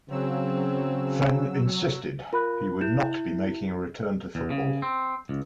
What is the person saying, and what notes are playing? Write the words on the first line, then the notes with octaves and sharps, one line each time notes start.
Fenn insisted he would not be making a return to football.
C#3 F#3 C4 E6
F4 A#4 B5 F#6
E4 G6 E7
E2
C#3
C4
C#2